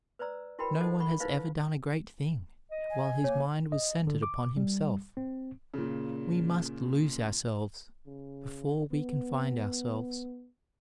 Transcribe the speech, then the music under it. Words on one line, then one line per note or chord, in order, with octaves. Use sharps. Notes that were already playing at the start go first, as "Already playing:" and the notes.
No one has ever done a great thing while his mind was centered upon himself. We must lose ourselves before we can find ourselves.
B4 C5 D5 A#5 E6
E4 F#4 A#4 B4 G5 B5
D#4 A4 C5 D#5 F#5
F#5 B5 C#6
D#4 E4 B4 C5 F5
D#5
G#5
A#3 C#5
D#5
D3
D6
G3
C4
A#2 C#3
C#3
B3